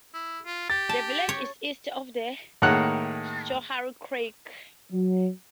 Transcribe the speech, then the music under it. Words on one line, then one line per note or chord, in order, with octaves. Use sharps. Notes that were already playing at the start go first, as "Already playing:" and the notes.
The village is east of the Schoharie Creek.
E4
F4
G4 A6
A5
C#5
A2 D#3 A#3 G#4 F#5 F#6
F#3